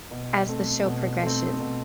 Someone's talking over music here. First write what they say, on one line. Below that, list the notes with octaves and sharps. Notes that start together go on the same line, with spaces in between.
as the show progreshe
B2
A3 C4
B2
A3 C4
B2